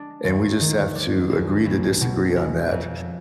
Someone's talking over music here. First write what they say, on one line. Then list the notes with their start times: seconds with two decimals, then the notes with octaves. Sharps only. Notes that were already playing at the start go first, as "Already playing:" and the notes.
and we just have to agree to disagree on that.”
Already playing: G#3 D4
0.24 D#2
0.60 D#3
0.95 G3
1.30 B1
1.66 B1
2.01 B2
2.36 G#3
2.71 F2